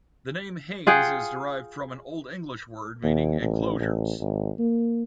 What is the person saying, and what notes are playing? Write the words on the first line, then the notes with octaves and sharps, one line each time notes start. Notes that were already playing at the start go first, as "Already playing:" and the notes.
The name 'Haynes' is derived from an Old English word meaning "enclosures".
F4 G#4 F#5 G5
D#2
A1
A1
G#1
A#3